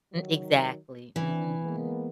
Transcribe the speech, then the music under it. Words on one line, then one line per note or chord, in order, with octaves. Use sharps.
M exactly, mhm.
D#3 F#3
E3 C4 D4 E4
G#3 A#3 B3